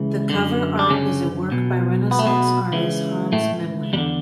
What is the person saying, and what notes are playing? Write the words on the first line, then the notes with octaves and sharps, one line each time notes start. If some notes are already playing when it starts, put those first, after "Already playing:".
The cover art is a work by renaissance artist Hans Memling.
Already playing: C#2 C#3 E3
F#2 D3
D4
C#3 C#4
B1 B2
B3
A3
B2 B3
C#2 C#3 E3
A2 A3
E2 D3 G3